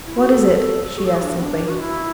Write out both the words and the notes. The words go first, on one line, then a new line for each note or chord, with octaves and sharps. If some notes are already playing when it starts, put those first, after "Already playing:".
"What is it?" she asked simply.
E4
F#4
A4
F#4
A4
F#4
E4
D4
B3
D4
F#4
E4